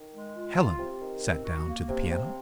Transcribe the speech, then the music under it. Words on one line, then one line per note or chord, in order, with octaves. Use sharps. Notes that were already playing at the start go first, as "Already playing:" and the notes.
Helen sat down to the piano.
Already playing: D#3
G#3
F4
F4
C3
D#3
C4
F#4
A#3
C3
C3